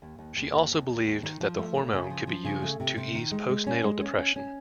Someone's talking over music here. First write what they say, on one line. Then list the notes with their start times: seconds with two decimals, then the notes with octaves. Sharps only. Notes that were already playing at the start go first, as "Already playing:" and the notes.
She also believed that the hormone could be used to ease postnatal depression.
0.02 D#2
0.19 D#2
0.36 D#2
0.54 D#2
0.71 D#2
0.88 D#2
1.06 D#2
1.23 D#3
1.40 F3
1.58 A3
1.76 C#3
1.93 C#3
2.10 F3
2.27 F3
2.45 C#3
2.62 A3
2.80 C3
2.97 C3
3.15 D#3
3.31 G#3
3.49 G#3
3.66 C#4
3.84 G#3
4.01 C#4
4.18 C#4
4.36 C#4